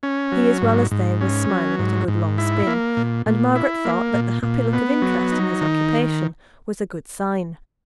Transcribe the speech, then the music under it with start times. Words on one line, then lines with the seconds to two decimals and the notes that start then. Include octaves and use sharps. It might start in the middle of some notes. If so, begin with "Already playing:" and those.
He, as well as they, was smiling at a good long spin; and Margaret thought, that the happy look of interest in his occupation was a good sign.
0.03 C#4
0.32 F#3
0.62 G#2
0.91 G#2
1.21 C#4
1.50 F#3
1.79 G#2
2.08 G#2
2.38 E4
2.67 A#3
2.97 A#2
3.26 A#2
3.55 E4
3.85 A#3
4.14 A#2
4.43 A#2
4.73 B3
5.02 F#3
5.32 D#4
5.61 D#3